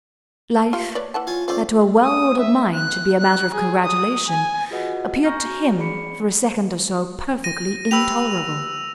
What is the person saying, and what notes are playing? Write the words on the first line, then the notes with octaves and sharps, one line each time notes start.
Life, that to a well-ordered mind should be a matter of congratulation, appeared to him, for a second or so, perfectly intolerable.
F4 G4
B4 C#5 D5
E3 F#5 A5
F4 C#5 G#5
A3 C#4 F4 C5 D5
D#6
E5
F#6
F#6
G#4
D#6
G#5
F4 F#4 G#4 B4 D#5 F#5
G#5 A#5 C#6 F6 G6 A#6
F#4
C4 G#4 D5 B5 C#7
A#6 D#7
G4 B4 C#5 E6 F7